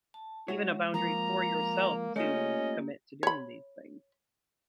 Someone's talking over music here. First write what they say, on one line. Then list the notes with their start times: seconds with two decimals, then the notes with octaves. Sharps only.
even a boundary for yourself to commit to doing these things.
0.14 A5
0.48 G#3 E4 F#4 C#5
0.94 F3 A#3 A#5
2.16 A3 A#3 C#4 F4 G4 D#5
3.23 C#5 B5